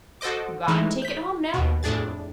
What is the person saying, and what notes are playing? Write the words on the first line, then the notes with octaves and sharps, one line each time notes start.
Got take it home now.
F#4 A4 C5 D#5 D6
E3 G#3 A3 D#4 E4
G6 B6
D#2 B2
F2 A2 D4 G#4 A6